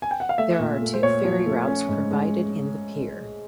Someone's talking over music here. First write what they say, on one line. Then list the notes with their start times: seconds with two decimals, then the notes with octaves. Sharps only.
There are two ferry routes provided in the pier.
0.02 G#5
0.11 G5
0.20 F#5
0.29 F5
0.38 A3 E5
0.59 A#2
0.82 A3
0.94 C5
1.03 A#2 C#5
1.24 F3
1.46 A3
1.67 C#4
1.88 G#2
2.11 G#3